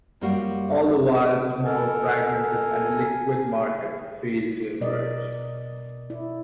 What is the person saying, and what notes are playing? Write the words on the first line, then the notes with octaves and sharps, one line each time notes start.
All the while the small fragmented and illiquid market failed to emerge.
F#2 G3 A#3 F4 F#4
A4 A#4 G#5
B2 A#4 D5 D#5
E4 D5